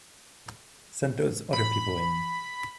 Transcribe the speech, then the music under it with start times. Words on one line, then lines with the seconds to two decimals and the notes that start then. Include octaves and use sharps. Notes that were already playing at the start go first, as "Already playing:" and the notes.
Send those other people in.
1.53 B5